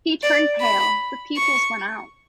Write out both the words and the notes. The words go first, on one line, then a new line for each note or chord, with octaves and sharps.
He turned pale, the pupils went out.
D5
B5
C#6